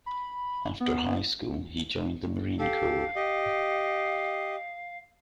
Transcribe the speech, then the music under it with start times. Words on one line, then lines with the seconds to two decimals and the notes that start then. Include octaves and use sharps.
After high school, he joined the Marine Corps.
0.06 B5
0.80 B3
2.59 G4 A4 F5
3.15 G4 D#5